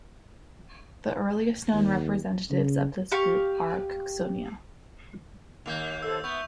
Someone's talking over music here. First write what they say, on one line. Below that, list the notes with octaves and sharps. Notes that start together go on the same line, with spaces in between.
The earliest known representatives of this group are "Cooksonia".
D#2
C#3
G4 F5 C#6
D#2 A#3 G6 F7
A4 C5 E6
B3 E5 C#6 G6 F7